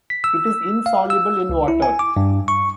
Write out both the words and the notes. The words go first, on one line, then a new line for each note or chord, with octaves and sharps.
It is insoluble in water.
B6
E6
F5
E6
C#2
E4
G#5
D6
G2
C#6